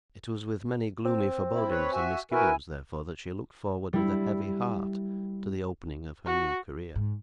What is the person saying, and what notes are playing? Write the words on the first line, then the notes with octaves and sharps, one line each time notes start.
It was with many gloomy forebodings and misgivings, therefore, that she looked forward, with a heavy heart, to the opening of her new career.
C4
E4
B4 C#5
F#4 E5 G#5
E4 F#4 A#4 B4 G#5
G3 E4
F#4
G#2